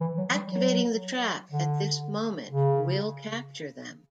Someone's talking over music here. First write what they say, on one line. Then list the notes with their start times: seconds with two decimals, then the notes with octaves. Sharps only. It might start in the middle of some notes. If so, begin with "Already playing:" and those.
Activating the trap at this moment will capture them.
0.01 E3
0.18 F#3
0.34 G3
0.51 F#3
1.51 D3
2.51 C#3